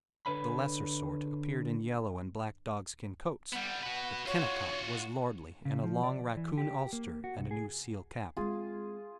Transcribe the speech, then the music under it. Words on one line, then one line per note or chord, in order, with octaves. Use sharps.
The lesser sort appeared in yellow and black dogskin coats, but Kennicott was lordly in a long raccoon ulster and a new seal cap.
D3 B4 C#5 B5
G3 B3 F#5
F#4 B4
F4 F#4 C#5
C#3
F3
D5
E3
G4
A#3
F#4
C2
G#4
G#3 C4 F4 G#4